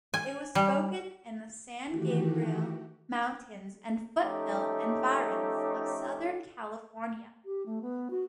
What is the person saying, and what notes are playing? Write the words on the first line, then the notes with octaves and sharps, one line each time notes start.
It was spoken in the San Gabriel Mountains and foothill environs of Southern California.
G#5
G3
D#3 E3 A3 F#4 G4
F3 A3 C#4 D#4 G4 A4
G4
A3
B3
F#4